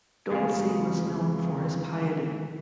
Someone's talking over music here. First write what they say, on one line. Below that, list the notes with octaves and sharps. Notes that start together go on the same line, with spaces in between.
Dolci was known for his piety.
F2 C#3 G#3 G4 F5